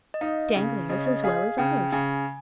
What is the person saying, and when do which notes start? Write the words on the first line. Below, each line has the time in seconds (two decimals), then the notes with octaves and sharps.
"Danglars, as well as others."
0.14 D#5
0.21 D#4 F5
0.55 C#3
0.89 C#3 D#5
0.98 C#5
1.06 D#5
1.24 G#4 F5
1.58 C#3 G5
1.92 C#3 G#5